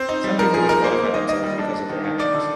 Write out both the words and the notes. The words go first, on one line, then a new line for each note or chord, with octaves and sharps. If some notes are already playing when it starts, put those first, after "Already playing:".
Some people disqualify themselves because of their actions.
Already playing: C4 C5
D#4
G3
F3 A#4
F3 G#4
D#4 A#4
A#3 C5
A#3
D#3 D#5
D#3 D#5
G3
D4
D4
D#3
D#3
D#4 D5
D3